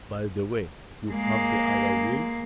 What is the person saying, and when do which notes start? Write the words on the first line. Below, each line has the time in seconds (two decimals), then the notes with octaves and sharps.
"By the way, you have the other will?"
1.10 G#3 A#3